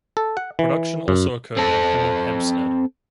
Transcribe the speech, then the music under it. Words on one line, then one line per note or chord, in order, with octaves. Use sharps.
Production also occurred in Hemel Hempstead.
A4
F#5
E3
F#2
C4 A4